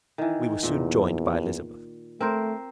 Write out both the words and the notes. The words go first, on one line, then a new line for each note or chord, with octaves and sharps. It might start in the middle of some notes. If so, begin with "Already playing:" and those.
We were soon joined by Elizabeth.
D#3 E3
E2 A#2
A3 C4 A#4 C5